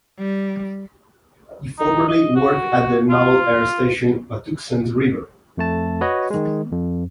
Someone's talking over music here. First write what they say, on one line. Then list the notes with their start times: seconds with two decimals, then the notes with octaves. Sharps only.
He formerly worked at the Naval Air Station Patuxent River.
0.19 G3
1.79 D#4
2.08 D#5
2.36 F#4
3.10 F4
5.57 F2 A3 A5
6.01 F#4 B4 C#5 D#5
6.30 D#3 G#3
6.72 F2